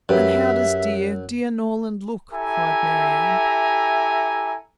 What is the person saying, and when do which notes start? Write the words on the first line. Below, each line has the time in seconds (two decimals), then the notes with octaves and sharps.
"And how does dear, dear Norland look?" cried Marianne.
0.09 F#2 G4 B4 E5
2.33 E4 G4 A4 E5 G#5 A#5